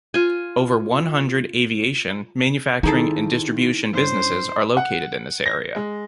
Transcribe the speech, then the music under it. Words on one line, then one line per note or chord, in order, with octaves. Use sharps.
Over one hundred aviation, manufacturing and distribution businesses are located in this area.
F4 G#5
G#1 D#3 D#4 E4 G#4 A4 A5
G2 C#4 C5
F#5
A#6
G#3